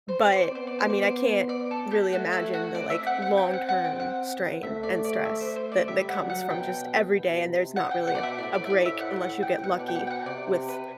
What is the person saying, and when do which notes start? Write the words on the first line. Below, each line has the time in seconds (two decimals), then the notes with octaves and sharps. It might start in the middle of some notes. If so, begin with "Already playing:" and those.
but, I mean, I can't really imagine the, like, long-term strain and stress that that comes from just every day and there's not really a b a break unless you get lucky with
0.08 C5
0.20 C4 D5
0.32 C5
0.43 D5
0.55 B3 C5
0.67 D5
0.79 C5
0.90 D5
1.02 C5
1.49 D5
1.71 A4
1.91 G4
2.12 A3 F#4
2.33 E4
2.53 F#4
2.75 C4 D5
2.90 E5
3.07 F#5
3.22 F#5
3.37 C4 G5
3.53 F#5
3.69 F#5
3.84 G5
4.00 F#5
4.63 A3 E5
4.83 D5
5.05 D5
5.25 E5
5.41 C5
5.56 C5
5.72 D5
5.87 G3 E5
6.09 F#5
6.20 F#3
6.30 F#5
6.50 B2 G5
7.13 B2
7.45 C3
7.76 F#5
7.91 G5
8.07 B2 F#5
8.15 D5
8.23 E5
8.38 A2 D5
8.54 D5
8.65 E5
8.70 A2 D5
8.86 E5
9.01 F#5
9.22 F#5
9.43 G5
9.63 B2 F#5
9.79 D5
9.88 G5
9.95 F#5
10.07 G5
10.10 F#5
10.26 C3 D5
10.68 B4